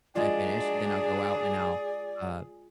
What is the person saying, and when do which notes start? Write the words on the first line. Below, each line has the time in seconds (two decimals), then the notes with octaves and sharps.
and I finish, then I'll go out and I'll, uh,
0.15 F#3 G#3 A#3 D4 F4 G#4 D5